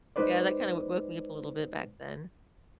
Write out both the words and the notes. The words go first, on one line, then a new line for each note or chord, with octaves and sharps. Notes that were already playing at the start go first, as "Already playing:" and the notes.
Yeah, that kinda w woke me up a little bit back then.
G#3 D#4 B4 C5 D5